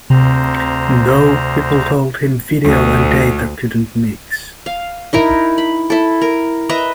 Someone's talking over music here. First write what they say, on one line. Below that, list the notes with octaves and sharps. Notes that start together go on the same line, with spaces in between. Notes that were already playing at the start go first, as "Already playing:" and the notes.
Though, people told him video and data couldn't mix.
D2 C3 C5 A#5
D2
F5
D#4 E4 A#4
B5
E4 A4
A#4
B4 D#5 E5 A#5